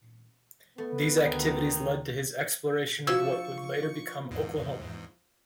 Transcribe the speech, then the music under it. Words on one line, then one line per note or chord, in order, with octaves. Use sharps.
These activities led to his exploration of what would later become Oklahoma.
A3 B3
D2 D#3
F3 D4 F#4 C#6 E6 G#6
E2 G#2